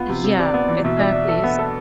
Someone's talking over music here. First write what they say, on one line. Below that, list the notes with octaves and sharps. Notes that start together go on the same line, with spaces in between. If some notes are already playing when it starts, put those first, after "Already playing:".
Yeah. Exactly, it's
Already playing: B3 F4
C3
C3
C3 D5
B3
E3
B2 E5
D4
D4
A4
B3
A4